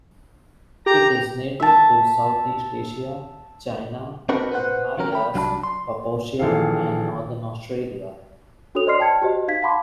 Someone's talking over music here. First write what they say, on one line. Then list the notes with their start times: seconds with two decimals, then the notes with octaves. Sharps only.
It is native to Southeast Asia, China, the Himalayas, Papuasia and northern Australia.
0.86 G4 A#5
1.60 E5 A5
4.29 C4 D4 D#4 F#4 A#4 B4
4.52 B4 C5 F#5
4.98 D#3 F#3 C#4 A#4
5.12 G5 B5
5.34 C2 F#3 D4 F5 A5 B5
5.63 C6
6.39 A#1 D#3 E3 G#4 A4 F5
8.75 D4 F#4 A4 C#5 D#6 F7
8.87 C5 D5 D#5 C6 F6 C7
9.00 G5 A5 G#6 C#7
9.22 F#4 G4 C5 D#5
9.48 D#4 F5 G#6 B6
9.62 F5 F#5 A5 B5 C6 D6